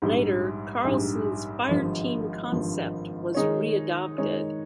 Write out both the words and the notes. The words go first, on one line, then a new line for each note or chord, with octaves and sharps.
Later, Carlson's fireteam concept was re-adopted.
A#1 G#2 G3
A#1 G#2 G3
G#1 G2 F3
G#1 G2 F3
D#3 G#3 D#4 G#4 C#5
D#3 G#3 D#4 G#4 C#5